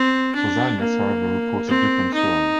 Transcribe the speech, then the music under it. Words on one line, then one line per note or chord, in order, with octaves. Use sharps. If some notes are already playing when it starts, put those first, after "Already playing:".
Pausanias, however, reports a different story.
Already playing: C4
D4
A#3
C4
D#4